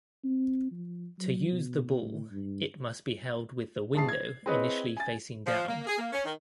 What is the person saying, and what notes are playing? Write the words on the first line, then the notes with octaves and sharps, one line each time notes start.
To use the ball, it must be held with the window initially facing down.
C4
F3
F#3
B2
A2
G2
A1 G#4 A5 C7
G#6
C4 E4 G#4 B4 C#5 D#5
G#5 A6
F3
A#3
G#4
A#3
C#4
D#3